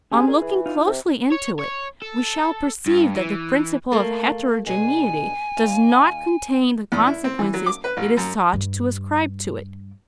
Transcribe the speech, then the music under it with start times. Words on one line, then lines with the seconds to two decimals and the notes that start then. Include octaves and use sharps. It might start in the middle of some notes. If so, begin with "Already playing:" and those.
On looking closely into it, we shall perceive that the principle of heterogeneity does not contain the consequences it is sought to ascribe to it.
0.11 C#4 G4 G#4 G#5
0.27 A#2 G#4
0.41 E3
0.66 D#4 F4
0.86 C3
1.32 C#5
1.59 C#5
2.02 A4
2.86 G2
3.15 E3
3.92 A3 A#3
4.66 B2 D4 G#4 G#5
5.57 D#2 F5
6.92 E2
7.06 E4
7.24 C4
7.39 E3
7.54 F#3
7.66 D6
7.84 B4
7.97 A1
8.17 F#2
8.53 G2 G3